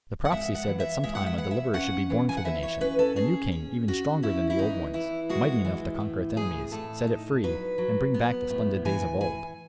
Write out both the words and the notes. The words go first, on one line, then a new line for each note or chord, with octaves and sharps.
The prophecy said that some time a deliverer should be born for the nation, a new king even stronger than the old ones, mighty enough to conquer its enemies, set it free, and bring back the splendid days of old.
F#5
G#3 E5
F#5
E3
E5
G#3 E5
F#5
E5
E3 F#5
E5
C#4 F#5
E3
G#5
F#5
E3 E5
C#5
C#4 B4
A4
C#4 G#4
C#4
C#4 F#4
C#4 E4
E4
E3 D#4
E3 E4
G#3 F#4
E3
A2
A2 G#4
A2 A4
D#4
F#3 B4
F#3
B3
A2
E3 G#5
E3 G#5